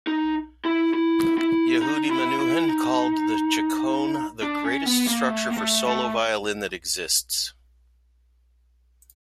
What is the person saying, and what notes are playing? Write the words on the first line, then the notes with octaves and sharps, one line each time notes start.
Yehudi Menuhin called the Chaconne "the greatest structure for solo violin that exists".
D#4
E4
E4
E4
D#4
E4
E4
D#4
D4
C#4
B3
A#3
A3
A#3
A3
A3